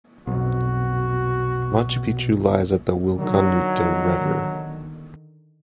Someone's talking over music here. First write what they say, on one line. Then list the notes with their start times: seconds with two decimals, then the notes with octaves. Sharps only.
Machupicchu lies at the Willkanuta River.
0.27 B1 F2 B2 F#4
3.17 D3 D#3 F#3